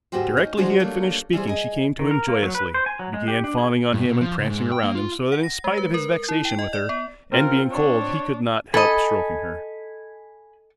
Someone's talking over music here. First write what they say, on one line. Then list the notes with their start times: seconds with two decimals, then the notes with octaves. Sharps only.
Directly he had finished speaking she came to him joyously, began fawning on him and prancing round him so that in spite of his vexation with her, and being cold, he could not help stroking her.
0.12 D2 G#2 B3 F#4 G4 C5
0.37 C#4 D#4
0.57 C#3 F#3 G#3 D4 F#4 C5
0.79 F#3 G3 A3 A#3 D4
1.33 E3 G3 G#4 C5
1.47 G#4 D#5
1.99 D#3
2.11 A#4
2.28 A#3
2.43 F#3
2.55 B4
2.74 C5
2.86 G#5
2.99 F#3
3.14 G#3
3.28 G4
3.44 D4
3.58 G#4
3.93 G2
4.05 B2
4.21 F3
4.38 C#2
4.50 G#2
4.72 G5
4.83 A#3
4.95 F4
5.32 F#5
5.43 A#6
5.64 G#3
5.77 B4
5.94 A#4
6.29 E4
6.45 G5
6.59 D#5
6.73 D5
6.89 B3
7.32 C4 F4 A#4
7.72 D4 C#5
8.74 A4 D#5 G#5 B5